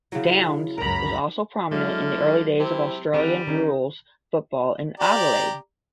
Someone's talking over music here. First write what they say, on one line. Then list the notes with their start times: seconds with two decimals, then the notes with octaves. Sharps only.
Downs was also prominent in the early days of Australian rules football in Adelaide.
0.12 C#3 F#3 E4
0.78 C#2 F#2 A#4 A#5 B5
1.71 D3 F#3 G#3 E4 C#5 F6
2.60 C3 C4 E4
3.14 D#3 G3 C4 G#4 A#4 F#5
3.47 C2 D#3 C#4 D#4
5.00 G4 D5 A#5